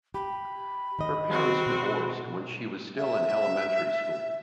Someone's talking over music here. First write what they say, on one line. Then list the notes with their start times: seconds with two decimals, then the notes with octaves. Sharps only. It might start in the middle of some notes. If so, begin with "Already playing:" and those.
Her parents divorced when she was still in elementary school.
0.14 G4 B5
0.99 D#3 D#5
1.30 C4 F#4
1.66 B2
2.96 E5